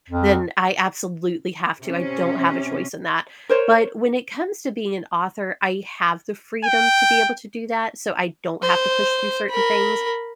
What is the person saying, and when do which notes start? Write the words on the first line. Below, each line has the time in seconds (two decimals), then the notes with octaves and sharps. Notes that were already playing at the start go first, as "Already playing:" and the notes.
then I absolutely have to, I don't have a choice in that, but when it comes to being an author, I have the freedom to be able to do that, so, I don't have to push through certain things,
0.10 F2
1.82 C3 C#4
3.49 A#4 C5 C#5
6.65 G5
8.62 C5
9.50 A#4 B5